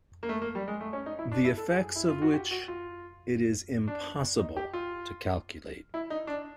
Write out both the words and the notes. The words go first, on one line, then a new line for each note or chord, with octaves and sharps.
The effects of which it is impossible to calculate.
A#3
A3
A#3
G3
G#3
A3
C#4
D#4
E4
D4
E4
A4
G#4
E4
F4
F#4
G4
F#4
F4
D4
D#4
G4
F4
E4
D#4
D4